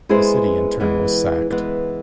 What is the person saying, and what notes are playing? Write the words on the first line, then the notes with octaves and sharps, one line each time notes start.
The city in turn was sacked.
G#3 B3 E4 G#4 C5
E3 G#3 B3
E3 G#3 B3